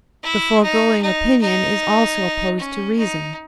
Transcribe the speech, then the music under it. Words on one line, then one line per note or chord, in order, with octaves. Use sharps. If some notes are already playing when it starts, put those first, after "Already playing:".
The foregoing opinion is also opposed to reason.
E4
D#4
D#4
D#4
C#4
D#4